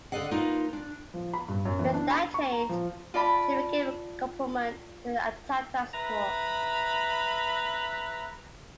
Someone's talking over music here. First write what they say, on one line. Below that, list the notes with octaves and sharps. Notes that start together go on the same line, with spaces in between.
With that change, she became a complement to the attack transport.
D3 D5 D#5 F5 F#5
A#3 D#4 F4 A#4 B4
D4
F3
B5
G2
F#2
E3
D4
B5
C#6
A#5
F3
F4 D5 A5 B5
B4 E5 A#5 B5